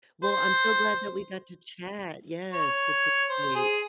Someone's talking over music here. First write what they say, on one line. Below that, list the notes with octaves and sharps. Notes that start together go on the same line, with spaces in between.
Well, I'm so glad that we got to chat. Yes, this was great.
C5
C#5
C5
G#4